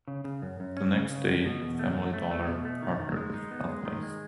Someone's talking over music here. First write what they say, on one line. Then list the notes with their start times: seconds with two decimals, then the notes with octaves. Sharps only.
The next day, Family Dollar partnered with Healthways.
0.08 C#3
0.24 C#3
0.42 F#2
0.60 F#2
0.77 C#4
0.94 C#3
1.10 C#3
1.28 F#2
1.46 B2
1.62 E2
1.79 A3
1.97 A3
2.14 A3
2.31 A3
2.48 B2
2.65 A3
2.82 D#3
2.99 D#3
3.16 G#3
3.34 D#4
3.51 B3
3.69 G#3
3.85 D#3
4.03 G#3